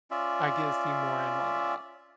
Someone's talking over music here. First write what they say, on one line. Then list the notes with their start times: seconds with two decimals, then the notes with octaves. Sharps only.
I get see more and all that."
0.11 C#4 F4 D5 E5